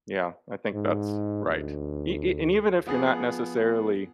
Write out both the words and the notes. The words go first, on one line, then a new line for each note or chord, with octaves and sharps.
Yeah, I think that's right. E e and even if you're not necessarily
G#2
D2
F3 B3 G#4